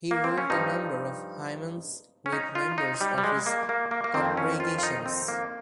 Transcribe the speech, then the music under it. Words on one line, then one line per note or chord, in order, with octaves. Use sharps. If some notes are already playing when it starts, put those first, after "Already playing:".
He wrote a number of hymns with members of his congregations.
A#3
C4
C#4
G2 F3 D#4
C#4
D#4
F4
D#4
G3
G3
G#3
A#3
A#3
A#3
A#3
F2 D#3 C4
C#4
F4
F4
D#4
C4
A#3